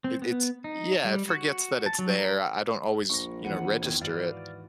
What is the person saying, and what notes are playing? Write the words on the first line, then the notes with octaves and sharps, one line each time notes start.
it it's yeah, it forgets that it's there, I don't always, you know, register it.
C4
B3
D#4
G3
F#4
A5
F#3
A#4
A#1 C#6 A#6
D#2 E3 B3 F#5 D#7
E2 D#3 C#5 D#7
D#2 G#2 E3 F#4 D5 F5